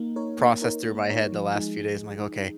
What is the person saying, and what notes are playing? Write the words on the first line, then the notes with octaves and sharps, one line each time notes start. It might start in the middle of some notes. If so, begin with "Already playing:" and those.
process through my head the last few days, I'm like, “Okay.
Already playing: A#3 D#4 A#4
D#4 A#4 C#5
A#3
D#4 A#4 C#5
A#3
D#4 A#4 C#5
F3
G#3 D#4 G#4